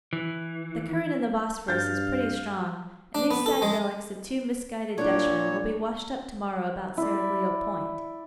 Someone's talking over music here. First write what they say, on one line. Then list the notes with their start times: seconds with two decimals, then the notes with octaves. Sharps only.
The current in the Bosporus is pretty strong, and these sad relics of two misguided Dutchmen will be washed up tomorrow about Seraglio Point.
0.13 E3
1.68 G2 F5 G6 A6
3.15 D4
3.31 B3
3.46 A4
3.62 G#3
4.98 A#2 D4 E4 C#5 D5 F5 F#5 A5
6.97 E4 D5